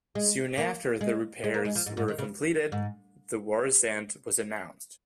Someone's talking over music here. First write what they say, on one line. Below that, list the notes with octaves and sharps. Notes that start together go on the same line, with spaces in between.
Soon after the repairs were completed, the war's end was announced.
G#3
A#3
G#3
G#3
A#3
G#3
F3
G#2
G#2
D#3
C#3
G#2